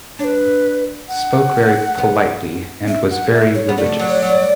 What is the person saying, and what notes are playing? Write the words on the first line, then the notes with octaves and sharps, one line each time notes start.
Spoke very politely and was very religious.
D4 C#5
B4
F#5
B3
E5
F#5
E5
C#5
B3
A3 D5
F#3
F#3